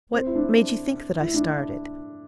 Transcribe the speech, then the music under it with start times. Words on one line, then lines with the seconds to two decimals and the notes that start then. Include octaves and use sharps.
What made you think that I started?
0.12 C4
0.27 E4
0.35 D4
1.20 E4
1.34 D4